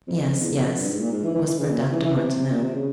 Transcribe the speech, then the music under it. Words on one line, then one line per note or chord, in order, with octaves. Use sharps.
"Yes, yes," whispered Dr. Martineau.
F2
F2
E2
F2
G2
G#2
A#2
G#2
E3
E3
E3
C#3
A#2
C3
E3
E3
C3
A#2
C3
C#3